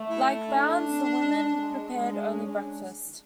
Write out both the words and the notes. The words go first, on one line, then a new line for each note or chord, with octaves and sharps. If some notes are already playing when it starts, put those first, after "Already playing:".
Like Bounds, the woman prepared only breakfast.
Already playing: A3
E4
D4
G#3
G#3
G#3 D4
D4
C#4
C#4
D4